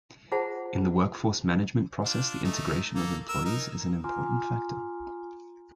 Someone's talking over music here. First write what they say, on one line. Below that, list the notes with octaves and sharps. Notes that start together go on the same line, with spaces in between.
In the workforce management process, the integration of employees is an important factor.
F4 G#4 C5 F#5 A5
D4 F4
A3 D#4
A#3 A4
A#4 E6
D#4 A#4
F4 G#5 A#5 C6 D6 F6